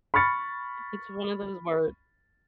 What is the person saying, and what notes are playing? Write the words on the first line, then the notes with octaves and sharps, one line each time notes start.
It's one of those words.
B5 C#6 F6 A6 C#7